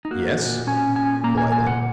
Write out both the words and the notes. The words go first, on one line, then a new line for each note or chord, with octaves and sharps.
"Yes?" politely.
D#4
A#3 F#4
A#2
C#4 G#5
A#2 G#5
A#3 A#5
G#5
A#2 G#5
F#5